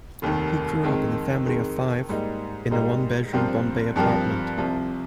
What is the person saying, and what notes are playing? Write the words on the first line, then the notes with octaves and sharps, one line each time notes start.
He grew up in a family of five, in a one bedroom Bombay apartment.
F1 D#2 D#3
F2 D#3 G#3
F2 D#3 G#3
G#2 G3 A#3 D#4
G#2 G3 A#3 D#4
G2 F3 C4 G4 A#4
G2 F3 C4 G4 A#4
C2 C3 F3